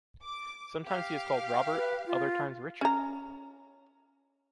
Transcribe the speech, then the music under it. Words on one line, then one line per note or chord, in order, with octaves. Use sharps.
Sometimes he is called Robert, other times Richard.
D6
G4 F5
B4
F4
C#4 A#5